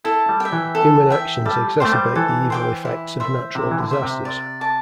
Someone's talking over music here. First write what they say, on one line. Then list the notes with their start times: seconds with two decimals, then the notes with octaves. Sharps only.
Human actions exacerbate the evil effects of natural disasters.
0.04 E4 A4
0.29 G3
0.40 E5 G5
0.52 E3
0.75 A4
1.10 E5 G5
1.45 G3 A4
1.80 A3 C5 G5 D6
1.92 G3
2.15 E3 A4
2.50 C5 G5 D6
2.85 E4
3.20 C5 E5
3.55 C3 E4
3.71 E3
3.78 D3
3.91 C5 E5
4.02 C3
4.25 D5
4.61 A5 D6